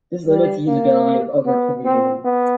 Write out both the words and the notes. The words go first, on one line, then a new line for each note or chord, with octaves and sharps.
This limits usability of over-provisioning.
G3
A#3
B3
C4
B3